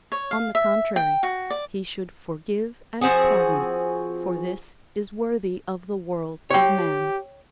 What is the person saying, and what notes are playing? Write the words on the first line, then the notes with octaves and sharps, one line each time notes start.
On the contrary, he should forgive and pardon, for this is worthy of the world of man.
C#5
F5
E5
G5
F#4
D5
F3 C4 F#4 G#4
G4 C#5 G5